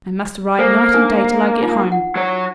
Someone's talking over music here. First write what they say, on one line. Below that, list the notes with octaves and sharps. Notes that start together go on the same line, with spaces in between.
I must ride night and day till I get home.
A#3 A4 C5 G#5
D4 D#4 A#4
D#4 F4
F#5
F#3 C#5